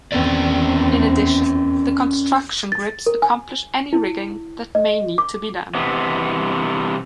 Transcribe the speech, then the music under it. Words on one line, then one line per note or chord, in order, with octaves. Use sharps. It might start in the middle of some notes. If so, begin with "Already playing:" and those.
In addition, the construction grips accomplish any rigging that may need to be done.
E2 C4 C#4 A#4 D5
A6
A#4
G#5
E4
D#5
D6
C3 E3 B3